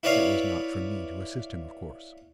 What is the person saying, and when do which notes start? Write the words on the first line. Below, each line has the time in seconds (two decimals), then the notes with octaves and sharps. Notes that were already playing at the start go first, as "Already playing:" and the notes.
It was not for me to assist him, of course.
0.03 E4 B4 C#5 D5 F5